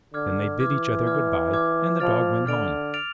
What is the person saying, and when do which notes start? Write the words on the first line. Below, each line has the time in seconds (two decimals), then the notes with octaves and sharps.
Then they bid each other good-by and the Dog went home.
0.13 D3 D6 F6 G#6
0.60 E3 D6 F6 G#6
1.07 D6 F6 G#6
1.53 D6 F6 G#6
2.00 F3 F6 A6 D7 F7
2.47 D3 F6 A6 D7 F7
2.94 F6 A6 D7 F7